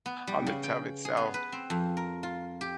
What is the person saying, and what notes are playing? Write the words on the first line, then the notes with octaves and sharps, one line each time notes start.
on the tub itself
B3
G3
C#3
G5
G#4
B3
B4
C4
F2
A#4
F4
G4